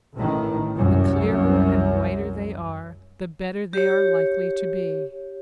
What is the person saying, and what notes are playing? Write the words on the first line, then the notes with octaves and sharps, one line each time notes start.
The clearer and whiter they are the better they are likely to be.
A1 A2 D#3
C2 F#2
G4 C#5